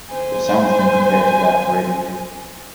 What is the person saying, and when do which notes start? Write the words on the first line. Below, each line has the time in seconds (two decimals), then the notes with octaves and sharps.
Their sound has been compared to that of Radiohead.
0.11 C5 G#5